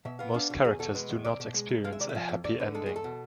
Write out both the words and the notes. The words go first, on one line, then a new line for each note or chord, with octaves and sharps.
Most characters do not experience a 'happy ending'.
B2 E5
B3 F5
D4 F5
B2
E2 G#4
B2 A4
G#3 B4
E2
C2 D5
B2
G#3
C2
G#3 F5
E5
C3 D5
E5
F3
F2
E2 D5
D3 B4
G#3 A4
E2 G#4
A4
B2